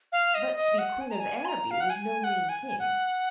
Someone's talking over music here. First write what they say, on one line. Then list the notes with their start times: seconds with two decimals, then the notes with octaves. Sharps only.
But to be Queen of Araby was no mean thing.
0.12 F5
0.35 D#5
0.56 D#5
0.78 F#5
1.01 G#5
1.11 A#5
1.20 G#5
1.45 C6
1.48 A#5
1.71 F5
1.80 F#5
1.90 G#5
2.19 G#5
2.24 F#5
2.49 G#5
2.79 F#5